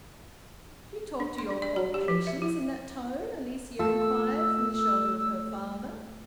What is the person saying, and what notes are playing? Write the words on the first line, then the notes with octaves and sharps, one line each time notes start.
"Do you talk to your poor patients in that tone?" Alicia inquired, from the shelter of her father.
D4
C6
D4
D5
F#4
G4
F3
E5
E4
A3 F4 A4 E6